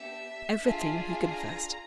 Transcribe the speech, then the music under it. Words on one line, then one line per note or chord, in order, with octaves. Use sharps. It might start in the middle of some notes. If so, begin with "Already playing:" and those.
"Everything," he confessed.
Already playing: B3 D4 G4 E5
D4 F4 G#4
A#5